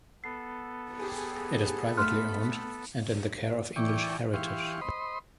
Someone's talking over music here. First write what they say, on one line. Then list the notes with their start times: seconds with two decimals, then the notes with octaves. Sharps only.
It is privately owned and in the care of English Heritage.
0.24 B3 A4 C7
0.99 G4 G#4
1.97 A3 C6 F6 F#6 B6
3.76 E3 D5 G5 C#6
4.34 E3 G4 F5 C6 C#6
4.81 C5 D#5 B5 C6